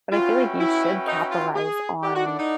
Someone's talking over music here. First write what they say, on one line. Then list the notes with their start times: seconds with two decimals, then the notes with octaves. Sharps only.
but I feel like you should capitalize on
0.11 C#4 F4 F#4 B4 E5 G5
0.60 E4
1.07 D#4
1.31 F4
1.55 G#4
2.03 E4 G4 A4 D5 F#5
2.15 F#4
2.26 D4
2.39 D#4